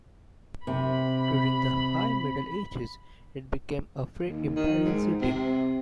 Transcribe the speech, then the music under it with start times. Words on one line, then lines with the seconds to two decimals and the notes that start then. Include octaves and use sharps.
During the High Middle Ages, it became a Free Imperial City.
0.67 C3 B5
4.23 D#2
4.56 D#3
4.85 G#2
5.21 C3